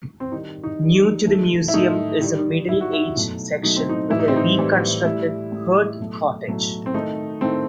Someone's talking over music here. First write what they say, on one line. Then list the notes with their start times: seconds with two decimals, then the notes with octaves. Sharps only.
New to the museum is a middle ages section with a reconstructed hearth cottage.
0.20 C4
0.32 D#3 G3 D#4
0.64 D#4
0.80 D#3 G3
1.27 D#3 A3
1.68 E4
1.74 D#3 A3 D#4
2.21 D#3 G3
2.68 D#3 G3 E4
2.81 F#4
2.93 E4
3.16 B2 F#3 A3
3.63 B2 F#3 A3 D#4
3.76 C4
3.89 D#4
4.10 A2 E3 G3 E4
4.19 D#4
4.28 C4
4.36 D#4
4.58 A2 E3 G3
5.05 A2 G3 E4
5.52 A2 G3
6.00 B2 F#3 A3
6.47 B2 F#3 A3
6.86 C4
6.94 D#3 A3 D#4
7.41 D#3 A3 C4